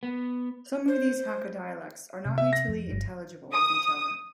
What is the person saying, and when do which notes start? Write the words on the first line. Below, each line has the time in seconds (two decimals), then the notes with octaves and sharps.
Some of these Hakka dialects are not mutually intelligible with each other.
0.03 B3
0.88 C5
2.25 C3
2.38 E5
2.53 A#6
2.68 F2
2.92 G1
3.53 D#6